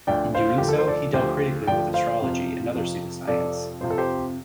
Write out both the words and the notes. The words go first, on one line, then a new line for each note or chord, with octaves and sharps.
In doing so he dealt critically with astrology and other pseudoscience.
D2 D3 F3 D5 G5
C5 F5
F4
D2 D3 F3 G4
A4
C5
A4 D5
D2 D3 F3 G4 C5
D2 D3 F3 D5 G5
C5 F5
F2 C3 F3
F2 C3 F3
F2 C3 F3 A4 D5
F2 C3 F3 C5
A4
G4 C5